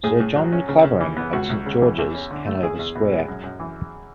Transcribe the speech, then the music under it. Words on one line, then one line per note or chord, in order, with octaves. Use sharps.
Sir John Clavering, at Saint George's, Hanover Square.
A2 G#4
A2
F#3
C#4
C#3
C#3
E3
B3
C#2 F#4
C#2
C#3
E3
E2
C#4
D3
A3
E2 G#4
E2
B2
G#3
F#2
F#2
E3